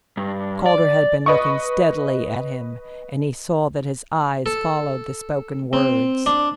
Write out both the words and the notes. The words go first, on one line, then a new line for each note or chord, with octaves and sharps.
Calder had been looking steadily at him, and he saw that his eyes followed the spoken words.
G2
D5
B4 D#5 C#6
A4
C4
D4